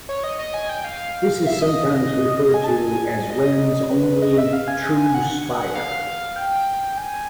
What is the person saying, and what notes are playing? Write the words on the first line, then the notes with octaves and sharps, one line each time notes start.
This is sometimes referred to as Wren's only "true spire".
C#5
D#5
D#5
G#5
G5
F5
E5
D#5
D#5
G#5
A5
G#5
D#5
B4
D#5
E5
F5
G#5
F#5
F5
G5
G#5